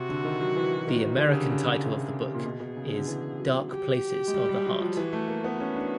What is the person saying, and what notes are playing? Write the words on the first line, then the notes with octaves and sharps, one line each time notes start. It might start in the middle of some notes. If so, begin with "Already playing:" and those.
The American title of the book is "Dark Places of the Heart".
Already playing: C3 F#4
D3
D#3
F#3
E3
D#3
D#3 G4
D3
C#3
D3
C#3
C3 G#4
G4
A#2
B2 G#4
B2
C#3
C#3
D3
E3
F#3
G4
G#3
G3
G3
F#3
F3
E3 F#4
A3
A#3
B3
C#4 F#4
D4